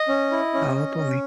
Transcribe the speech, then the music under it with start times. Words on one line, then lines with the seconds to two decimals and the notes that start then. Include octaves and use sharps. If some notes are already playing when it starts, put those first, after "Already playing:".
Oh boy.
Already playing: D#5
0.08 C#4
0.31 E4
0.54 C#4
0.76 C#4
0.98 C#4